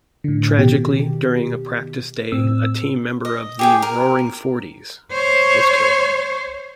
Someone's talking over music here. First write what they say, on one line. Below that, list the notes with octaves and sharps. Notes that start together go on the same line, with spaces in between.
Tragically during a practice day a team member of the "Roaring Forties" was killed.
A2 D3
B2 D#3 G4
A2 C4 E6
D#5
G4 G#4 G5
A#4
C5 C#5